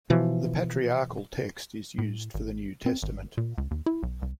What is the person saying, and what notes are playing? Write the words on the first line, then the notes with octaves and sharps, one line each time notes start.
The Patriarchal Text is used for the New Testament.
B2 E3 F3
A2
G#1
C4
G#1
A#2
C#2
D#2
E4
B1
C2